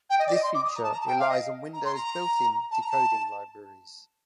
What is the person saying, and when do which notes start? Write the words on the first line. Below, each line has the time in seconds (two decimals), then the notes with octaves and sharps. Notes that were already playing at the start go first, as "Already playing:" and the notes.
This feature relies on Windows' built in decoding libraries.
0.10 G5
0.19 D#5
0.27 D5
0.35 D#5
0.43 C6
0.54 D6
0.64 D#6
0.76 A#5
0.83 A5
0.92 A#5
1.00 A5
1.08 G5
1.19 F5
1.29 D#5
1.73 A#5
1.85 C6
1.94 A#5
2.71 A5
2.80 A#5
2.90 A5